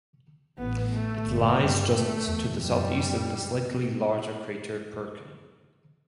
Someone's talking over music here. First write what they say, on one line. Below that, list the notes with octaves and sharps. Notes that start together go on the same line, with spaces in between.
It lies just to the southeast of the slightly larger crater Perkin.
A1 A2 B3
A3
G1 G2
G1 G2 G3
A3
E2
F#2 G3